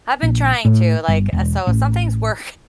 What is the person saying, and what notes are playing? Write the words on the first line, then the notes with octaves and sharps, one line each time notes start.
I've been trying to, like, so some things work
A#1
A2
G1
E1
A1